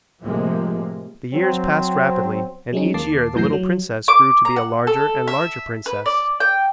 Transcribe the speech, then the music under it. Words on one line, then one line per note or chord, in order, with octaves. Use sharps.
The years passed rapidly and each year the little princess grew to be a larger and larger princess.
A2 C3 F3 G#3 A#3
F#3 C4
F#3 G#3 C4 C#4 D#4
D#2 A#3 A5 D6 C7
F#2 A2 E3 G6 A#6 C7
F#3
D6
A#5
F#5
A4
E5
B4
D5
G5